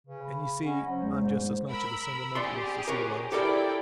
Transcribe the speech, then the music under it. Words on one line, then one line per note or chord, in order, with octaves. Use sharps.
And, you see, I am just as much of a sentimentalist as he was.. ..
C#3 B4
B5
C#4 D#5 F#5
F#3 C5
E2 G#3
G#2
A#4 B5 E6
G4 G#4 D5 C6
A#4 C#5
E4 G4 A4 A#4 D5 G5